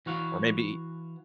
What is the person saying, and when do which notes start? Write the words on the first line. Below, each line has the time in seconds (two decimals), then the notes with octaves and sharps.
Or maybe
0.06 E3 F#4 F5